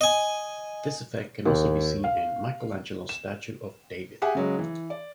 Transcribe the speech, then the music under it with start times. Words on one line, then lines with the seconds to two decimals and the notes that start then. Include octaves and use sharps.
This effect can also be seen in Michelangelo's statue of David.
0.01 D#5 G#5
1.46 D#2
2.04 F5
3.09 E7
4.22 G4 G#4 E5 F#5 G#5
4.35 C#3 F#3 G#3
4.59 E3
4.90 D5